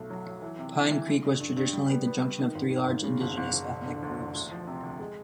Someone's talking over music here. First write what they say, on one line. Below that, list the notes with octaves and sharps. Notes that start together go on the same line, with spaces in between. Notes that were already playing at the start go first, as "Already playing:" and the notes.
Pine Creek was traditionally the junction of three large indigenous ethnic groups.
Already playing: B1 A3
F#3
F#3
E3
C3
E3
E3
D3
G2
G2
G2
G3
B3
B3
B3
D#3
G#1
D#3
G#1
C#3
F#1
F#1
F#1
E1
D3
D2
E1
D2
F3
C3
D2
G#3